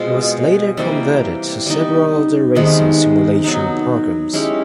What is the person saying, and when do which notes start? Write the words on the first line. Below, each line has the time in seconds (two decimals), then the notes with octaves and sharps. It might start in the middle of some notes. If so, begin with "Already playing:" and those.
It was later converted to several other racing simulation programs.
Already playing: B2 G#3 C4 F4
0.77 C3 E3 G3 A#3
1.66 G3 B3 D#4
2.55 C3 D#3 G#3 B3
3.44 F#3 B3 D#4
4.33 G#3 C#4 E4 G4